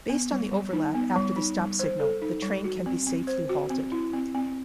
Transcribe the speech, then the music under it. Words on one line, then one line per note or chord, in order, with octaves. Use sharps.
Based on the overlap after the stop signal the train can be safely halted.
B3
G3
G3
D#4
B3
G3
D#4
G3
C5
A4
D#4
G3
F#4
C4
C4
C5
F#4
C4
E4
C4
C4